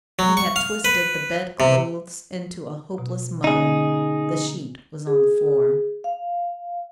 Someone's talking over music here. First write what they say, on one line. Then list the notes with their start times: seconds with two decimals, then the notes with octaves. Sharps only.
He had twisted the bed-clothes into a hopeless muddle, the sheet was on the floor.
0.19 F#3
0.37 C#6
0.56 F5
0.85 B4
1.60 C3
2.98 B2
3.44 D3 A#3 C#4 D#4 G#4
5.07 G#4
6.04 F5